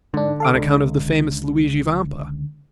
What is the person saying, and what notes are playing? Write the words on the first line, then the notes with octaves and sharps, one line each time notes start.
"On account of the famous Luigi Vampa."
G#2 D3 D4
A4 F5 D6
C#2 D3